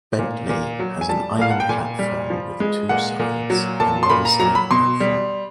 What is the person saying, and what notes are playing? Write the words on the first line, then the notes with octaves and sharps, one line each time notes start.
Bentleigh has an island platform with two sides, and one side platform.
A#2
A#2
F#3
G#5
G3 A5
A#2 F5
F#5
G5
A#2 G#5
G3
F3
G#3
A#2 F#5
A#2
F#3
A#2 A5
C6
A#2 B5
A#5
F#3 A#5
B5
B2 C6
G3